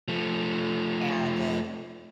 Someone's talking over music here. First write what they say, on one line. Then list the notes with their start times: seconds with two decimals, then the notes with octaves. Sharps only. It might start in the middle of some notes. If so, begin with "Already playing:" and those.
and, uh,
0.08 F3 A3